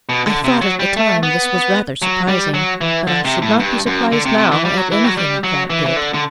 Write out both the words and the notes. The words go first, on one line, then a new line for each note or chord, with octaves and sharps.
I thought at the time this was rather surprising; but I should not be surprised now at anything a cat did.
B2
D3
C3
F#3
G3
A3
B3
F#3
G3
F#3
E3
D3
C3
A2
G2
F#2
D3
C3
C3
E3
G3
F#3
E3
F#3
G3
F#3
E3
E3
D3
D3